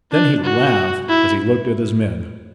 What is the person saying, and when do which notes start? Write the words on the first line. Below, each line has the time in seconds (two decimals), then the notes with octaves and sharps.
Then he laughed as he looked at his men.
0.12 D4
0.44 F#4
1.09 E4